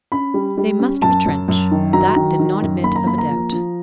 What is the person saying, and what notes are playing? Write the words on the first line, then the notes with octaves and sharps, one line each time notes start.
They must retrench; that did not admit of a doubt.
C#4 B5
G3
G3
C#4
F#2 A5
F#2
F#2
D#3
F#3 A#5
D#3
D#3
F#2
A#3 B5
A#5
A#3 B5
A#5
F3
F3